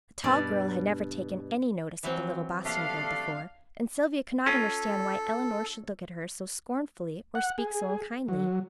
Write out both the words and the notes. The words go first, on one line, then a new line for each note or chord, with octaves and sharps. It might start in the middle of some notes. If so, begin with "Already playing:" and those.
The tall girl had never taken any notice of the little Boston girl before, and Sylvia could not understand why Elinor should look at her so scornfully or speak so unkindly.
G2 B2 D5
E3 F#3 C4
G3 A3 D4 F5
C#4 F4 A4
F#5
G#4
F#3